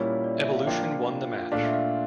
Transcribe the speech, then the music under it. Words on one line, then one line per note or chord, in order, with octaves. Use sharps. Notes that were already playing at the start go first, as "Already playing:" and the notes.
Evolution won the match.
Already playing: A#2 G3 A#3 C#4 E4 C#5
D5
E5
E5
F5
F3 A#3 D4 F4 G5
A#2 A3 D4 F4 F5
E5
F5